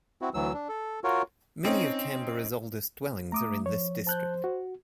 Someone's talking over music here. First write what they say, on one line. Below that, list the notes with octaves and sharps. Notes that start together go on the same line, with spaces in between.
Many of Canberra's oldest dwellings are in this district.
C4 E4 F#4
D2 E3 F#3 E6
D4
A4
F4 F#4 A#4 C#5
C4 C#4 D#4
A3 A#5 D6 D#6
F3 C#5
C5 A5 F#6 G6
F#4